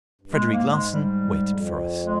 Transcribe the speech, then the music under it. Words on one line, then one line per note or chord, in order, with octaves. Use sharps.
Frederic Larsan waited for us.
G2
G#2 G#3
A#3
G#3
G3
F2
G#3